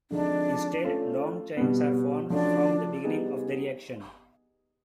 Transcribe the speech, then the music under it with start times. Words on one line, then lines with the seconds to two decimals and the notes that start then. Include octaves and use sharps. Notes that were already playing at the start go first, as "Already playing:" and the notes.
Instead long chains are formed from the beginning of the reaction.
0.11 D3 F3 G#3 C4 D4 D#4
0.84 A3 C#4 F4 A4
1.57 B2 G3 B3
2.30 F3 A3 C#4 D4 F#4
3.04 G3 B3 D#4 G#4